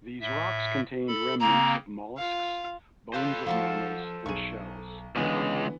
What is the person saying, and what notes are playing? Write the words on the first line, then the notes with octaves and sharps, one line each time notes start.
These rocks contained remnants of molluscs, bones of mammals, and shells.
A2 E5
A4 B5
C#3 A#3 C4 A#5
F4 F5
F4 A4 B4 C5 B5
F3 F4 F#4 A5
B1 G#4 C#6 D#7
C#2 D3 E3 G#3 B3